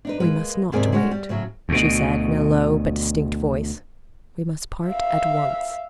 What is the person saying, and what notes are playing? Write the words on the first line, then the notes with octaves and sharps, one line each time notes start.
"We must not wait," she said, in a low but distinct voice; "we must part at once."
D4 D#4 B4
G#3 A#3 B4
D#2 G#2 C3 A#3 G#4 D5
G3 G#3 C#4 F#4 C#5
G3
A2 C#3 F#3
D2 B2
E5 F5